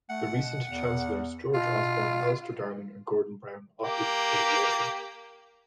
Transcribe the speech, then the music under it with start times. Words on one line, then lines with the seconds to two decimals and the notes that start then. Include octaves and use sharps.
The recent Chancellors, George Osborne, Alistair Darling and Gordon Brown, opted for water.
0.10 A3 F#5
0.33 B2
0.68 E2
1.54 B2 F4
3.82 A#3 G4